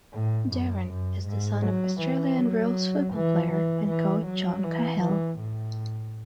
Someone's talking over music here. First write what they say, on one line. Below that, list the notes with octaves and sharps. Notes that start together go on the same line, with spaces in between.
Darren is the son of Australian rules football player and coach John Cahill.
A2
F#2
F#2
G#2
F#3
E3
F#3
E3
E3
E3
F#3
E3
E3
A2